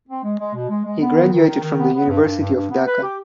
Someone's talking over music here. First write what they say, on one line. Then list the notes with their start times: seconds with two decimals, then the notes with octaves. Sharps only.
He graduated from the University of Dhaka.
0.08 C4
0.24 G#3
0.39 G#3
0.54 B2
0.70 G#3
0.85 G#3
1.01 B3
1.16 D#3
1.32 D#3
1.47 D#3
1.63 D#3
1.78 B3
1.94 B3
2.09 G2
2.24 G2
2.39 G2
2.55 G2
2.70 B3
2.86 B4
3.01 G4